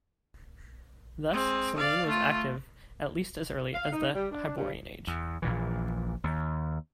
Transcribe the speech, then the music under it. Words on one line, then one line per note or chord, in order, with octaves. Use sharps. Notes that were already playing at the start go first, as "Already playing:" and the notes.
Thus, Selene was active at least as early as the Hyborian age.
G#3 C4
D5 F5
A3 F4
F5
D#4
G3
D4
G2
E2
A#1 A#2 E3
D#2